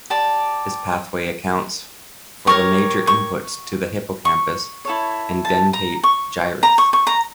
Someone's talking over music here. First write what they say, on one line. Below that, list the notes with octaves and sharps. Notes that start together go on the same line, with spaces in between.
This pathway accounts for the major inputs to the hippocampus and dentate gyrus.
G4 D5 A5
G4 A#4 C#5 C#6
C#6
C#6
E4 A4 C#5
A5
A#5
C#6
A#5
C#6
C#6
A#5